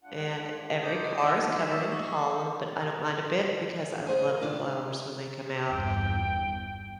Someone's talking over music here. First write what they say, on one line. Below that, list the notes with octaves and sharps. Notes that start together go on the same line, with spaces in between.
and every car is covered in pollen, but I don't mind a bit because I love the flowers when they come out.
G#2 D4 F4 F#5
A3 D#4 C5 D#5 D6 D#6 G6
F3 G#3 G5
E5 C#6 C7 C#7
C#6 E6
G2 D#4
G#4 C5 G#5
A#4
D#3 D4 F4
G1 E2 G5